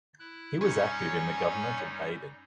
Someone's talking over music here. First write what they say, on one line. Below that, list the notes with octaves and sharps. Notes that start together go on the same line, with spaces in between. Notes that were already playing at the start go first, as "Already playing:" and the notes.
He was active in the government of Baden.
E4 F#6
F#2 G3 C#4 D#4